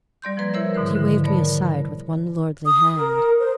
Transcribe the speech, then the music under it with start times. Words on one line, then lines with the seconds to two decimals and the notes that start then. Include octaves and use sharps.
But he waved me aside, with one lordly hand.
0.22 G3 D5 C6 G6
0.37 F3 A#3 B4 G#6
0.54 E4 A#4 C5 C#5 E5
0.75 G#2 B2 D3 D#3 C5
0.96 D3
1.24 A#4 C#5 D5 A5 B5
2.66 D#6
2.97 A#4
3.39 C5